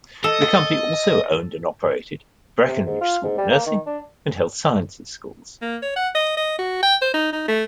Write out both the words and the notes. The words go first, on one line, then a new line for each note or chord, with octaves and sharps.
The company also owned and operated Breckinridge School of Nursing and Health Sciences schools.
A4 D#5
C3
G#2
F4
G#2
G3
A#3
D#3
D4
A#3
C#5
F#5
D#5
D#5
F#4
G5
C5
D#4
D#4
A3